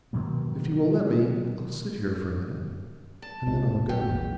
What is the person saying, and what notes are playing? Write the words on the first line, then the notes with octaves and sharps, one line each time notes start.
If you will let me, I'll sit here for a minute, and then I'll go.
B2 D#3 F#3 A#3
A5
B1 A#2 G#3
E1
D1 G#1 F#3 G4
A#1 E2